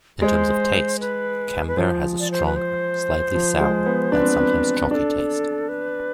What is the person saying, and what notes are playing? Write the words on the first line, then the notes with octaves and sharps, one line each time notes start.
In terms of taste, camembert has a stronger, slightly sour, and sometimes chalky taste.
G#3 C5 D5
B4
B4
F3 C5
D5
C5
B4
C5
F3
G#3
B3
D4 B4
C4
B3
C4
D4 A4 B4
B4